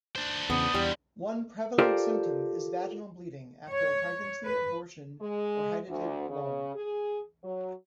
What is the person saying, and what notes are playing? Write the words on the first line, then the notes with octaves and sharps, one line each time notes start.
One prevalent symptom is vaginal bleeding after a pregnancy, abortion, or hydatid mole.
D4 C5
E2 C#3 B3 D#6
E2 G3
F4 G4 A4 A#4 C5 D5
C#5
B4
G#3
D2
C#3
G#4
F#3